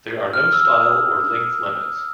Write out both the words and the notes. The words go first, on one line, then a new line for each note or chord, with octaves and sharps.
There are no style or length limits.
F6
E6
D#6